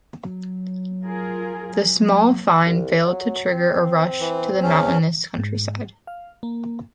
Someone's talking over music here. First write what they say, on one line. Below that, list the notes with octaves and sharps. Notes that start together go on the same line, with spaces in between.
The small find failed to trigger a rush to the mountainous countryside.
F#3
F4 G#4 A#4
F#3 A#3
C2
F#3
C4
E3
E2 C#4
G#2
F5
A#3